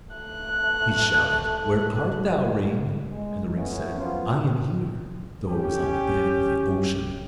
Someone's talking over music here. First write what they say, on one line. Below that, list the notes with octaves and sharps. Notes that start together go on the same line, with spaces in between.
He shouted, 'Where art thou, ring?' And the ring said, 'I am here,' though it was on the bed of the ocean.
A3 F#6
G#3
A3 B3 C#4
F3 F#3 B3 F4
C#4 G4